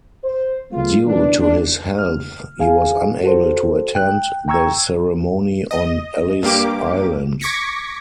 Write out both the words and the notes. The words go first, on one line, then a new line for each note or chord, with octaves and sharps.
Due to his health, he was unable to attend the ceremony on Ellis Island.
C5
F#3 G#3 A3 B3 F4
B2 D#3 E3 G3 D4
A1 D4
F6
G#4 F5 G#5
F#4 A4 C5
G5 F#6
G5 A#5 C#6 E6 G#6
D#5
G2 A#3 G4 D6
C#6 D6 G#6 A#6 B6 C#7